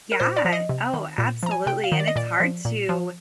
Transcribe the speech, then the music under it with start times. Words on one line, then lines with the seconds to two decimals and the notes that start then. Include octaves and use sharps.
Yeah, oh, absolutely, and it's hard to
0.12 A#4
0.20 A#2 C5
0.36 D5
0.45 F3
0.53 D#5
0.69 C3
0.94 D#3
1.18 A#2
1.43 F3 A#5
1.51 G#5
1.66 C3 G5
1.84 F5
1.92 D#3
2.00 D5
2.08 D#5
2.16 A#2 D5
2.40 F3
2.65 A#2
2.89 F3